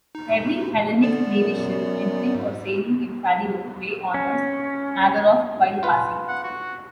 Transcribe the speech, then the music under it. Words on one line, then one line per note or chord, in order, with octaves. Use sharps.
Every Hellenic Navy ship entering or sailing in Faliro Bay honours "Averof" while passing.
D#4
D3 B3 D5
F#2
G#2
C#4
F4 B4
F#5
F#4